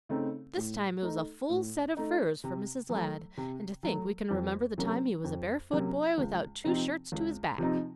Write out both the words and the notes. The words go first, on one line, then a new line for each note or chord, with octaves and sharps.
This time it was a full set of furs for Mrs. Ladd; and to think we can remember the time he was a barefoot boy without two shirts to his back!
C#3 A3 C4 D#4
A2
A3 D#4
A2
A3 D#4
C3
F#3
A3
C3
F#3 A3
F2
C3 F#3 A#3 C#4
F2
C3 F#3 A#3 C#4
C#2
C3 F3 C4 D#4
C#2
C3 F3 C4 D#4